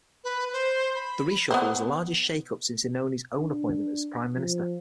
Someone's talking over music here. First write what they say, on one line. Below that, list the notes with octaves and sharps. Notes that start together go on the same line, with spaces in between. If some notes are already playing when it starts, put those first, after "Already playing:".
The reshuffle was the largest shakeup since Inoni's own appointment as Prime Minister.
B4
C5
B5
B3 B4 C5
D4
F3